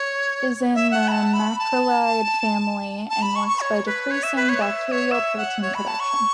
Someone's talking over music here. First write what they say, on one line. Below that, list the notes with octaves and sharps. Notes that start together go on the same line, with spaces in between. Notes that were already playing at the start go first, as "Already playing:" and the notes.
It is in the macrolide family and works by decreasing bacterial protein production.
Already playing: C#5
E5
F#5
B5
A5
B5
A5
A5
B5
C#6
C#6
C#5
B4
C#5
E5
B4
C#5
E5
E5
C#5
E5
F#5
C#5
B5
A5
C#6